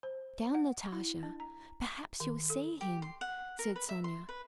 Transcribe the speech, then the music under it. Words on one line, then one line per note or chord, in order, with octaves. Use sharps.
"Sit down, Natasha; perhaps you'll see him," said Sonya.
C5
F#5
E4
D4
A#5
D#3
A4
G4
C6
F#5
A#4
B4
E5
C6
B4